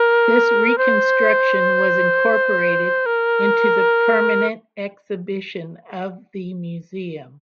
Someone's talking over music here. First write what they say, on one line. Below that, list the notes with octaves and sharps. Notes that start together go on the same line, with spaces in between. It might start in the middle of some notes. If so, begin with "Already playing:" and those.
This reconstruction was incorporated into the permanent exhibition of the museum.
Already playing: A#4
C5
A#4